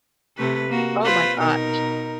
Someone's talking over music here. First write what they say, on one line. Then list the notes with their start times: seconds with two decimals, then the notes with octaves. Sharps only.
Oh my gosh.
0.37 C3 A3 B4
0.69 A#3 F#4
1.04 F4 B4 C5
1.38 B2 D#4 A#4